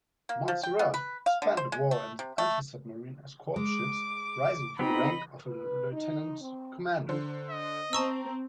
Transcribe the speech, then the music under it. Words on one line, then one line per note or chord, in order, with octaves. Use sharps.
Monsarrat spent the war in anti-submarine escort ships, rising to the rank of Lieutenant-Commander.
A#3
F3
G5
B3
B4
F5
D3
C5
G#3
A3
C3
A3
G#3 D6
B3 C4 D#4 G4 D#5 B5
B4
D#4
C4
D3 C5
D#5
C4 A5 A#5 C#6 E6